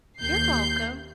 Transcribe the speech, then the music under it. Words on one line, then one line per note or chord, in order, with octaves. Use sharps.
You're welcome.
D#2 G6 C7